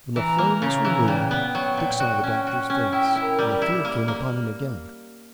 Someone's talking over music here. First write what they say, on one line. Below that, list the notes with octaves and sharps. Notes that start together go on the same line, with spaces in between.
When the flame was removed, Dick saw the doctor's face, and the fear came upon him again.
E3 A#5
A#3
C#3 A#5
E3
A#2 G5
B3
F#3
A#2
F#4
C#4
F#4
C#4
E4 G5
E4
A#4
G3
E4
A#3
A#3